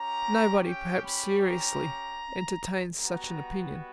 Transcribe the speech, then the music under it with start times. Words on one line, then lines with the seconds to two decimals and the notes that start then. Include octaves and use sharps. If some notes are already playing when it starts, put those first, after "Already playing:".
Nobody, perhaps, seriously entertains such an opinion.
Already playing: C#4 G4 A#5
0.66 G5
1.04 B5
1.43 A#5
2.96 G3 B3 F#4 A#5